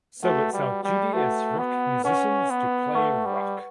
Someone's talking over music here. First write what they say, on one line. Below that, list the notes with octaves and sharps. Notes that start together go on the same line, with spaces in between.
So it’s our duty as rock musicians to play rock.
A3 F#4 B4 F#5
G3
G3
A3 F#4 B4 F#5
B3
C#4 B4 F#5 C#6
B3
A3 B4 F#5 C#6
G3